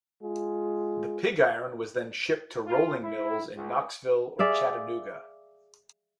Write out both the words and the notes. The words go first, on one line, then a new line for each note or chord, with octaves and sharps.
The pig iron was then shipped to rolling mills in Knoxville or Chattanooga.
G#3 F4 G#4
F4
E4
C#2
G#4 D5 E5 F5